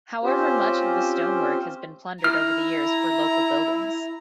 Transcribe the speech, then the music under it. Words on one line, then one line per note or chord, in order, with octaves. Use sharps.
However much of the stonework has been plundered over the years for local buildings.
C4 C#4 F4 G4 C5
E4 A#5 F6